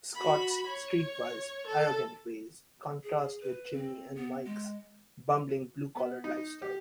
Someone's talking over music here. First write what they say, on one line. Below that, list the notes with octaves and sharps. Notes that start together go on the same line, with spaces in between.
Scott's streetwise, arrogant ways contrast with Jimmy and Mike's bumbling blue-collar lifestyle.
F#4 B5
C#5
A4
G#4
B4
C4
B3
G#3
B3
D#4
G4